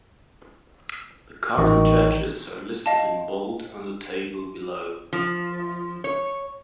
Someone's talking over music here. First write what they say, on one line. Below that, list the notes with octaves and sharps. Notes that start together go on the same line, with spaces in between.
The current judges are listed in bold on the table below.
A1 D#3 F#4 C#6
D#5 F5 A5
F3
C#5